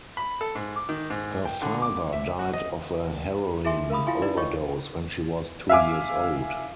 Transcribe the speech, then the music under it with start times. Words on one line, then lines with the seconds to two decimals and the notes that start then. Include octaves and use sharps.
Her father died of a heroin overdose when she was two years old.
0.17 B5
0.41 A4
0.55 G#2
0.76 D6
0.89 D#3
1.10 G#2
1.45 G5
1.62 D3
1.82 D6
2.13 E5
2.39 F#4
2.53 D#5
3.65 E4 G#4 E5 G#5 C6
3.90 A#4 F5 A#5 B5 D#6
4.07 E4 F4 F5 G5 G#5 C6
4.22 D#4 E4 B4 D5
4.37 F4 C#5 D#5 G5 C#6
5.69 E5 F5 G#5 D6